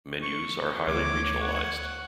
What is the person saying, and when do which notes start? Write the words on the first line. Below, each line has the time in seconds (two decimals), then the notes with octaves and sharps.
Menus are highly regionalized.
0.22 C#6
0.88 D2 C#5 D6
1.42 F#5